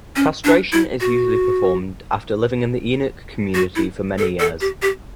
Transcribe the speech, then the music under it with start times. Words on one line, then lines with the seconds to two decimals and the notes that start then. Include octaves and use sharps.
Castration is usually performed after living in the eunuch community for many years.
0.16 C#4
0.44 D4
0.72 E4
1.01 F#4
3.54 F#4
3.76 E4
4.18 A4
4.40 A4
4.61 G4
4.82 G4